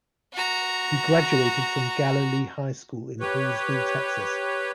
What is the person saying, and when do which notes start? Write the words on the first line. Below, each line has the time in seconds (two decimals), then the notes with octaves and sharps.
He graduated from Galilee High School in Hallsville, Texas.
0.33 F#4 A#5
3.20 G4 B4 C#5